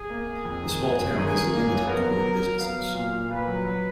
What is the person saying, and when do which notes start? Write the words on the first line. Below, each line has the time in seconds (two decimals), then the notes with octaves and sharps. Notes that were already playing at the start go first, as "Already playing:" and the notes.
The small town has a limited number of businesses.
Already playing: G#4
0.10 A#3
0.27 A#3
0.45 F2
0.63 D#3
0.81 F#1
0.99 F#1
1.16 D#3 G#4
1.34 D#3
1.52 A#3
1.69 F#1
1.87 B3 A#4
2.05 F#3
2.23 F#3
2.41 F#3
2.59 B3 F5
2.76 F#3
2.94 A#2 F5
3.12 A#2
3.30 A#2 B4
3.48 F#3
3.65 F#3